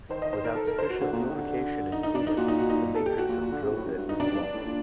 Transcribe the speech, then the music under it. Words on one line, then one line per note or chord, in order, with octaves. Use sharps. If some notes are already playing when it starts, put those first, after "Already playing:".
Without sufficient lubrication and cooling, the matrix of the drill bit will soften.
D#3 C5
D#5
C5
A#4
A4
A#4
C5
F#4
D3
A#2
C3
D#3
D3
D#4
D#4
D4
D#4
A#2 F#4
D#4
F#4
D#4
A4
G4
F#4
A#2
A#2
D3
C3
A2
F#2
G2
G2 D#4
F#2 D4
G2
G2
A2
A#2